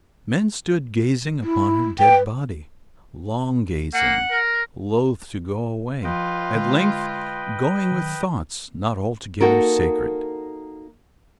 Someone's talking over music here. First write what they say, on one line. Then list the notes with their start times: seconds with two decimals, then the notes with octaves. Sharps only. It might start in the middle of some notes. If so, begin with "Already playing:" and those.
Men stood gazing upon her dead body--long gazing--loth to go away--at length going with thoughts not altogether sacred!
1.43 E4
1.99 B4 G5
3.93 A#3 F#5
4.31 A#4
6.04 F3 F4 B4 D#5 G5
6.54 D3 G#3
7.92 D#3 F#3
9.41 A#3 D#4 F#4 A4 A#4